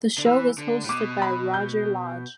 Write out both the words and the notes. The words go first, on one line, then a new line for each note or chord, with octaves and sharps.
The show was hosted by Roger Lodge.
D3
E3 E6
D3
A2
B2 D6
B5
G6